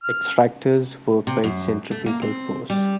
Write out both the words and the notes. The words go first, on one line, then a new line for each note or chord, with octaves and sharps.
Extractors work by centrifugal force.
F6
C3
F#2
A3
A#3
C4
G3